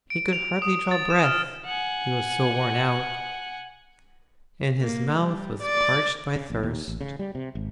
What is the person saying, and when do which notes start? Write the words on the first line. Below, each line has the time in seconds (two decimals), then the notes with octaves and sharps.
He could hardly draw breath he was so worn out, and his mouth was parched by thirst.
0.10 D7
0.33 F7
0.62 D#6
0.91 A6
1.10 E7
1.24 F6
1.65 F#5 G#5
4.82 A#3
5.18 G3
5.62 D5
6.36 C#3
6.50 A#1
6.63 D#2
6.88 A1
7.01 C#3
7.19 G3
7.35 C3
7.55 G#1